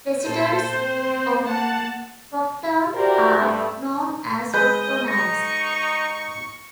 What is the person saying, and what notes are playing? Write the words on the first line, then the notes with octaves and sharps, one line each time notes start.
Residents of Crofton are known as Croftonites.
A#2 A4 C5
C4
A#3 F#5 A5
E4 F#4 G4 A#4 C5 D5
G2 A3
G#3 B4 D#5 G6
D#4 C#6 A#6